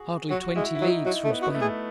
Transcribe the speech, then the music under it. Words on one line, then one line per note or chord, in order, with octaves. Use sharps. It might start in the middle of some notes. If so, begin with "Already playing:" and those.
Hardly twenty leagues from Spain!
Already playing: F#4 G#4
F#3 F#4
G#3 E4
E4
F#3 D#4
F#3 D#4
A3
B3
F#4
B3
A3
G#4